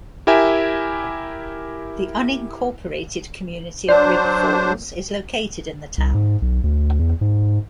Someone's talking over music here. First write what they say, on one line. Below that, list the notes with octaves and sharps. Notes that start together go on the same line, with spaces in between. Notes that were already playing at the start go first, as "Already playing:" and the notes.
The unincorporated community of Rib Falls is located in the town.
E4 G4 A#4 E5 G#5
F#3 D4 C5 D5
C2
G#2
B1
D2
E2
G#2